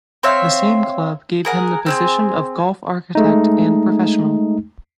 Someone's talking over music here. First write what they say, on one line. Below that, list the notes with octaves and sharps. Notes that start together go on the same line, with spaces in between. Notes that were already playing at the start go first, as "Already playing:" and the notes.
The same club gave him the position of Golf Architect and Professional.
C4 C#5 E5 F5
G#4 A#4 F#5
C4 D4 G#4
G#3 A3 D#4